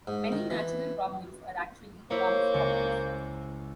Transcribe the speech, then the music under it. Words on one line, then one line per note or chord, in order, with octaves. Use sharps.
Many natural problems are actually promise problems.
G#2
D#3
E3
A#3 E4 C5 C#5
C#2 C#6